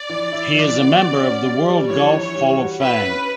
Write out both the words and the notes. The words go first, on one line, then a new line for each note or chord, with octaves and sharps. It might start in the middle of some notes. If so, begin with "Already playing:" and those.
He is a member of the World Golf Hall of Fame.
Already playing: D5
E3
E4
E3
B3
F#4
C#4
G3
G3
E3 C#5
E3
C#5
G3
F#4
E4 B4
C#4